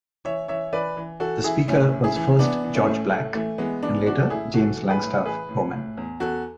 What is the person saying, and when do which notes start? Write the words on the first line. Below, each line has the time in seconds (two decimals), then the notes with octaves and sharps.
The Speaker was first George Black, and later James Langstaff Bowman.
0.25 E3 C#5 E5
0.48 E3 C#5 E5
0.73 E3 B4 D5
0.97 E3
1.20 E3 F#4 A4
1.44 E3 E4 G#4
1.67 A2 C#4 E4
1.92 A2
2.04 E4 G#4
2.16 E3
2.39 E3 B3 D4
2.64 E3
2.75 A3 C#4
2.87 A2
3.10 A2 A3
3.34 E3 A3
3.58 E3 G#3 B3
3.83 E3 B3 D4
4.06 E3 D4 F#4
4.19 A4
4.30 A2 E4 G#4
4.54 E3 F#4 A4
4.77 E3
4.89 G#4 B4
5.02 A2
5.25 E3 G#4 B4
5.49 A2
5.74 A2
5.97 E2
6.20 E2 F#4 A4